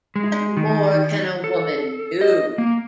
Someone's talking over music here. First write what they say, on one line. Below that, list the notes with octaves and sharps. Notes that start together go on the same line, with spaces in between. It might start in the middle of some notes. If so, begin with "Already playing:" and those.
What More Can a Woman Do?
G#3
D#3
A4
D#5
A#3